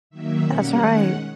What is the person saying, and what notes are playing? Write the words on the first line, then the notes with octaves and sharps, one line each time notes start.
That's right.
D#3 F#3 A#3 E5
B2 G3 A#3 C#4 F#5
D#3 G#3 C#4